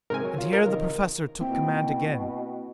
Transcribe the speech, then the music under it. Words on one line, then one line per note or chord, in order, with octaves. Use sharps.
And here the Professor took command again.
G#2 C3 C4 A#4 G#5
F#3 C#5
F4 C#5
A#4
C3 D#3 D#4
B2 A#3 C4 E4 G5